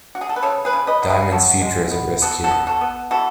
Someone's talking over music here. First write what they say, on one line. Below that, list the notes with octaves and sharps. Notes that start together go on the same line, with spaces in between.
Diamond's future is at risk here.
F#4
G#4
A4
B4
C#3 A4 C#5
G#4 B4
C#3
B4 D#5
F#3
G#4 B4
G#4
C#3 F#4 A4
G#3
B3
B3 F#4 A4
F#4 A4
B3
F#4 A4
B3
E3 F#4 A4